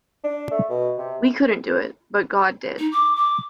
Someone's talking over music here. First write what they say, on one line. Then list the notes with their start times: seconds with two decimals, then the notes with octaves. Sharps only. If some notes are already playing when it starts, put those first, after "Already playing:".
We couldn't do it, but God did.
0.24 D4
0.51 A3
0.69 B2
0.98 C3
2.79 D#4
2.92 D6
3.16 D6